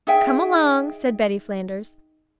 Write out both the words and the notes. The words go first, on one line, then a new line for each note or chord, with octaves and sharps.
"Come along," said Betty Flanders.
D#4 G#4 E5 G5